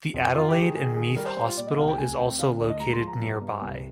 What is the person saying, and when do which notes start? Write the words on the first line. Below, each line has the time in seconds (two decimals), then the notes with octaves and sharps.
The Adelaide and Meath Hospital is also located nearby.
0.14 F2
0.34 D#3 F4
0.49 G4
0.55 D#3
0.62 G#4
0.76 D#3 G#4
0.96 D#3 G#4
1.16 G3 A#4
1.26 C5
1.37 G3 C5
1.47 F4
1.57 A#2 D5
1.67 D#5
1.77 C2 F5
1.88 G5
1.98 D2 G#5
2.18 C4 G5
2.39 D3 F5
2.59 D2 D5
2.70 D#5
2.80 G#3 A#5
2.93 C6
3.00 F3
3.07 A#5
3.20 G2
3.42 G2
3.61 C2